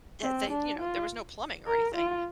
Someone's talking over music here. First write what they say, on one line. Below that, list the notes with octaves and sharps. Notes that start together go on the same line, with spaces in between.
eh they, you know, there was no plumbing or anything,
C4
D4
F4
A#4
F4